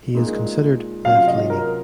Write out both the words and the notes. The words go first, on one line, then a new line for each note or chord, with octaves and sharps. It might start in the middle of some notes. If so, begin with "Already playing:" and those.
He is considered left-leaning.
A#2 G#3 D#4
C3 F#3 C#4 F4 F5
D#5
A#4